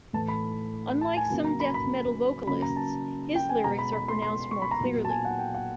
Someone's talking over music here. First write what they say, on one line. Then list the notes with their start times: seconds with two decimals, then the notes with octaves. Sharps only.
Unlike some death metal vocalists, his lyrics are pronounced more clearly.
0.13 A2 E3 A3 A5
0.28 B5
1.01 A5
1.17 G#5
1.30 C#3 F#3 A#3
1.45 A#5
1.60 B5
1.74 B5
2.47 C#3 F#3 A#3 B5
2.62 A#5
2.76 A5
3.35 G5
3.49 G#5
3.64 B2 G#3 B3 A#5
3.79 B5
3.93 B5
4.08 C6
4.22 C6
4.51 C#6
4.62 B5
4.71 A#5
4.81 A#2 F#3 B3
5.05 A5
5.10 G#5
5.25 F#5
5.39 G5
5.54 F#5